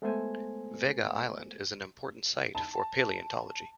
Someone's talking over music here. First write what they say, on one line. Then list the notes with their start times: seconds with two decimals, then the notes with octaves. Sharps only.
Vega Island is an important site for paleontology.
0.02 G#3 A3 B3 A4 C5 G#5
2.55 A5